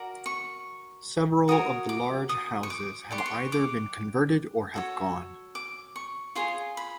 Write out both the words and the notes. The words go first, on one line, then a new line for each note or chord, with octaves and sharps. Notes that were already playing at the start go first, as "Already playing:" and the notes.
Several of the large houses have either been converted or have gone.
Already playing: F#4 A#4 D5
C#6
F#4 A#4 C#5 D#6
D6
D#6
C#6
D6
G4 B4 D5 C#6
C6
C#6
D6
F#4 A4 C#5
D6
C#6
F4 G#4 C#5 C6
B5